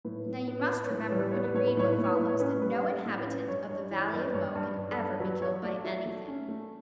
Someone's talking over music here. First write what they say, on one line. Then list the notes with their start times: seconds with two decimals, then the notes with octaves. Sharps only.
Now you must remember, when you read what follows, that no inhabitant of the Valley of Mo can ever be killed by anything.
0.05 A2 B4
0.26 A2
0.47 B3 B4
0.60 C#5
0.69 B3 B4
0.83 C#5
0.91 A2 B4
1.08 G3 C#5
1.19 B4
1.31 B3 C#5
1.44 B4
1.54 A2 C#5
1.67 B4
1.77 A2 C#5
1.92 B4
1.99 A2
2.04 C#5
2.15 A2 B4
2.28 C#5
2.40 C#4 B4
2.62 G3 B4
2.84 G3
2.91 A4
3.06 A2
3.20 B4
3.26 C#4
3.48 G2 C#5
3.69 G2 C#5
3.91 E3 C#5
4.13 G2 B4
4.34 G2 C#5
4.55 G2
4.77 G2
4.91 A4
4.98 G2
5.19 F#3 B4
5.41 F#3 C#5
5.63 A3 D5
5.84 F#3 E5
6.06 A3
6.28 C#4
6.49 A3